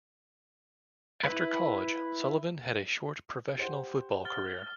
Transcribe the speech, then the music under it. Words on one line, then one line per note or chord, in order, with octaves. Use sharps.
After college, Sullivan had a short professional football career.
E4 B4
G4 C5 F#5
F6 A6 G7